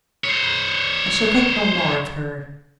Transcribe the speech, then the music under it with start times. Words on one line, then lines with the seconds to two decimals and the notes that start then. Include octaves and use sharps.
"I shall think no more of her."
0.24 C5 C#5